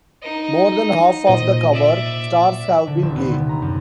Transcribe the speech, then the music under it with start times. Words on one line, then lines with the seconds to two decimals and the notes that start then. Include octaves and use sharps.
More than half of the cover stars have been gay.
0.22 D#4 D#5
1.27 A#2 C5 D#5
1.72 D5 E5
2.87 D3
3.03 D#1
3.17 B3
3.31 C3
3.49 A#5
3.62 F#2